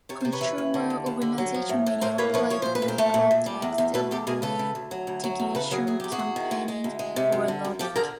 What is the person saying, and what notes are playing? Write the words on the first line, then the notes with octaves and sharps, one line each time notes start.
Consumer organizations may operate via protests, litigation, campaigning, or lobbying.
C3 C#5
C3 C5
B4 C#5
E3
D#2
D3
D#2
D#2
D3
F#3
F3
A2
A2
A2 A#4 C5
A#3 B4 C#5
F3 B4 C#5
F3 C#5
A#2 C5
B4
A#2
A#4 C5
A3
A#2
A#2
G3
E2
E2
B2 A4 B4
E2 G4 A4
B2 G#4 A#4
C#3 A4 B4
C#3
D2
F#3
D2
F#3
E2
C#3 A4 B4
F#3 G#4 A#4
E2 G#4
E2 G4
F#4 G#4
E2
D#3
G#3
G#3
D2
G#3
C3
F#2
D3
F#2
F3 G4 A4
D3 G#4 A#4